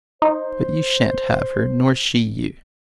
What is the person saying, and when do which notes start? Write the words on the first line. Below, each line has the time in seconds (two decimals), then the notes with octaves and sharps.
But you shan't have her, nor she you.
0.22 D#4 C5